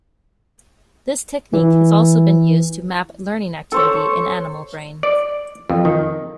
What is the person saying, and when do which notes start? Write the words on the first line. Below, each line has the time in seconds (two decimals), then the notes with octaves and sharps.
This technique has also been used to map learning activity in animal brain.
1.53 E3
3.72 A4 C5 C#5
5.03 D5
5.70 F2
5.85 D#3